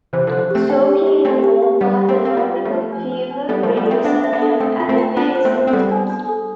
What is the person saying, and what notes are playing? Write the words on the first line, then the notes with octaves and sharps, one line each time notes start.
Soaking in a warm bath along with a fever reducer can alleviate symptoms.
C3 E3 C5
D3 F3 C5
A3 C4 G4
G5
G4
G4
A3 C4 D4
G4
G4
G3 B3 G4
G4
A3 C4
G4
C4
G3 B3 F4
F4
F3 A3
B4
D4
B4
D4
G3 B3 A4
F3 A3 F4
G3 B3
A3 C4 A4
B3 D4 E5
E5
B3 D4
A4
A3 C4 G5
F4
A3 C4
G5
B3 D4 F4
C5
A3 C4
C5
C4
G3 B3 A4
D4
D4
A4